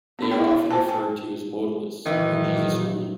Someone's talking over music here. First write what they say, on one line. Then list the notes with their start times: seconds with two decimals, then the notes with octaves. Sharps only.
They are often referred to as "Modalists" or "Jesus Only".
0.19 B3 D4
0.31 B3 E4 G#4 A#4 G5
0.44 D4 E4
0.71 C5 G#5 A5
0.87 G5 A5
2.06 G2 A#2 D#3 E3 F#3